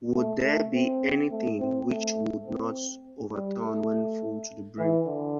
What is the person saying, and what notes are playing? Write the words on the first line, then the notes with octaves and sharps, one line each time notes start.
Would there be anything which would not overturn when full to the brim?
A3
A3
C4
A3
C4
A3
C4
G3
A3
E3
D3